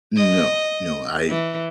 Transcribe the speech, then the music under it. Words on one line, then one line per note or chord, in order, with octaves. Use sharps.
No, no, I
D#5
E3